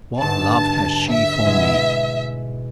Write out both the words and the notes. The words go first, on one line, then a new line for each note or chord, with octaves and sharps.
What love has she for me?
G1 G#2 A5
E5
B2 G#3 E4